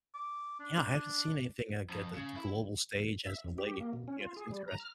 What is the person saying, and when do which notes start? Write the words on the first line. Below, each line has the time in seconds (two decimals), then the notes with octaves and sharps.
yeah, I haven't seen anything like at the g the global stage as of late. Yeah, that's interest
0.14 D6
0.60 D4
1.89 F2
2.15 C#3
2.36 E4
3.26 E5
3.44 F2
3.58 G4
3.80 A#3
3.93 B2
4.08 C#4
4.21 F4
4.37 G#4
4.52 G3
4.68 A#5
4.80 F6